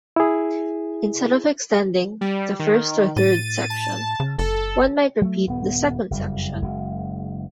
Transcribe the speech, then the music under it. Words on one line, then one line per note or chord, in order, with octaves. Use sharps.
Instead of extending the first or third section, one might repeat the second section.
E4 G#4
G3
D#3
A2 A6 D#7
A5
C#3
F#1 A4
F#3 A3
D#1 G2 B3
F#1 F2 G3
F#1 F#2 G#3